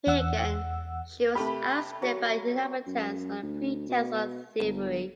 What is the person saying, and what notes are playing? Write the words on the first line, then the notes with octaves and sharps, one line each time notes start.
Here again, she was ousted by the inhabitants, on the pretext of thievery.
E2 F#5 E6
C3 A3 G4 B5
F#3
F#2
D2
B2
G1